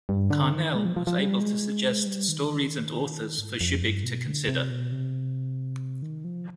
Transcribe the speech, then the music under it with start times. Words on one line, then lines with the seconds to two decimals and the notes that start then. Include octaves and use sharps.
Carnell was able to suggest stories and authors for Shubik to consider.
0.09 G2
0.30 D3
0.52 D#3
0.75 G#3
0.85 F3
0.96 F3
1.07 F3
1.19 G3
1.40 G#3
2.06 G3
2.29 D#3
3.38 G#2
3.61 F2
3.83 G2
4.04 B2
4.27 D3
4.48 C3
4.70 B2
4.92 C3
6.02 D#3
6.24 F3